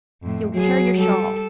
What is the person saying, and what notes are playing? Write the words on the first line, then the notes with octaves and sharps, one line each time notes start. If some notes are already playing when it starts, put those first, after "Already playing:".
"You'll tear your shawl."
F2 A2
F#3 G#4
G3 A4